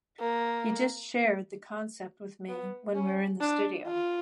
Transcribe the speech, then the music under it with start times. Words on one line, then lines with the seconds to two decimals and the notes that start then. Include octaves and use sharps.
He just shared the concept with me when we were in the studio.
0.20 A#3
2.49 B3
2.95 C#4
3.40 D4
3.87 F4